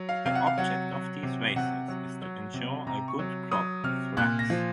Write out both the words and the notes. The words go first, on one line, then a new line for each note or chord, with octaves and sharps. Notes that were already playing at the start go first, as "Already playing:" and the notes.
The object of these races is to ensure a good crop of flax.
Already playing: F#3
F5
C3 F5
F#5
F5
F#3 F#5
F#3
C3
C3 F#5
F#3
F#3
C3
C3 A#5
C#6
F#3
F#3 D#6
C3 F6
A#2 F#6
A#6
F3